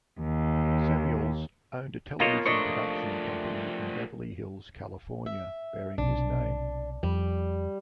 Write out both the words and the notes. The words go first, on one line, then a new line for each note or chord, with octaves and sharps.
Samuels owned a television production company in Beverly Hills, California bearing his name.
D#2
B2 A#3 F4 C#5 D#5
F3 A3 D4 D#5 C#6
E5
B1 C3 D4
F2 G3